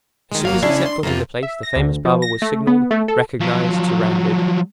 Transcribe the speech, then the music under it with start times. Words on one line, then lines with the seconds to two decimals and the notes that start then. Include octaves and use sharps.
As soon as he set foot in the place the famous barber was signaled, recognized, surrounded.
0.31 D#3 G#3
0.45 G#1 F#3 A#3 F5
0.62 C#3 C#4 D4 E4
0.86 C6
1.03 F2 C3 A#3 B3 F4
1.43 E5
1.63 A#6
1.76 D2
2.05 F3
2.22 A#6
2.42 A3
2.67 B3
2.91 A3
3.08 A4
3.41 F3 F#3